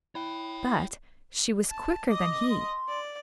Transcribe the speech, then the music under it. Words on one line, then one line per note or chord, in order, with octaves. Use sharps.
But she was quicker than he.
E4 C#5 G5
A5
D#5 D6 D#6
C6
D5